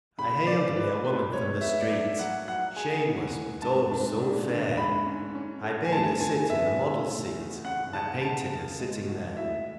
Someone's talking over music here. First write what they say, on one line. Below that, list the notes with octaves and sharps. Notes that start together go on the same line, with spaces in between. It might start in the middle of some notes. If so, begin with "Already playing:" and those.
I haled me a woman from the street, Shameless, but, oh, so fair! I bade her sit in the model's seat, And I painted her sitting there.
C#3 B5
C#4 D5
A2 B4
A3 B4
G#3 C#5
B3 E5
D5
F#3 E5
F#3 F#5
F#3 F#5
G#4 G#5
E4
A2
G#2 A5
G#2
D4
D3
G#2 B5
C#4
C#4
A4
G#5
A3 A5
D3 G#5
B3 E5
C#3
A3
E2
C#4 F#5
C#3 A5
C#3 A5
C#3
G#3
F#4
A2 E5